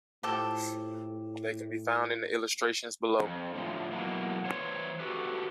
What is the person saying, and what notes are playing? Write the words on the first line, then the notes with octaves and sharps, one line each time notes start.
They can be found in the illustrations below.
A2 F3 G4 A4
F2
A2 D3 F3
B2 E3 F#3 G#3 A#3
E3 C5 C#5
F#4 G4 A4 B4